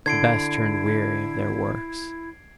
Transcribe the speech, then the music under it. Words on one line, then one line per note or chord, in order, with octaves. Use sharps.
The best turned weary of their works.
D3 E4 G#6 C7 D7